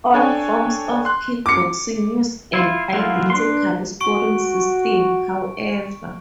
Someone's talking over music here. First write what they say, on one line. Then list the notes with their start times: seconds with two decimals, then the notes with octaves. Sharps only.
All forms of kickboxing use an identical scoring system, however.
0.14 D4 A4 C#5 G5 G#5
1.05 C6 F#6
1.46 D6 C#7
2.54 E4 F4
2.93 F#3 A3 A#3 E4 F4
3.30 D4 B4 C6
4.01 F#4 C#6 D7